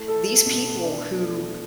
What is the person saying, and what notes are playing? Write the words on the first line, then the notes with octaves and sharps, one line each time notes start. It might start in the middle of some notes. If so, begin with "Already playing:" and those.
these people who
Already playing: A3 E4
A4
B2
D4
A3